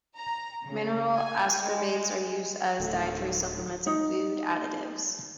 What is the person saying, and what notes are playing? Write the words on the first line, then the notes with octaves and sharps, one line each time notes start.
Mineral ascorbates are used as dietary supplements and food additives.
A#5
C#3
G#5
G#3
D1 D3 D#3 G#3 A3
D#4